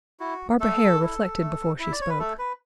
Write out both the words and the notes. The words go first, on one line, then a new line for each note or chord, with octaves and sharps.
Barbara Hare reflected before she spoke.
E4 F#4
A3 A4
E4
A3
E4 E5
D5
C#5
B4
A3 A4
B4